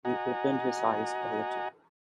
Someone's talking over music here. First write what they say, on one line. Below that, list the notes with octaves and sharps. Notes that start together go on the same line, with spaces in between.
He opened his eyes a little.
F#4 D#5 F#5 G#5 A#5